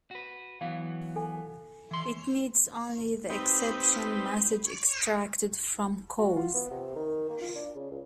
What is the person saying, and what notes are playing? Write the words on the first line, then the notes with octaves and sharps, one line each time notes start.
It needs only the exception message extracted from "cause".
F#4 B4
E3 F#3 B3 F5
A4 G#5
E3 C6
C4 D#4 G4 B4
F#4
F4
B3
C3
D#3
A#3
F4
D4
C#3
C#2